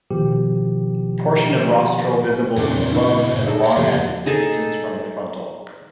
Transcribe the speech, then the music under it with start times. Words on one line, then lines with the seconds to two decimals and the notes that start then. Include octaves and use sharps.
Portion of rostral visible from above as long as its distance from the frontal.
0.10 B2 D#3 F3 G4
2.57 E2 A#2 C#3 E3 C4 D4
2.91 D4 E4
3.29 C2 G2
3.46 D#4 G#4 A4 D5
3.77 F2 C#3 F3 G4
4.26 D#4 G#4 A4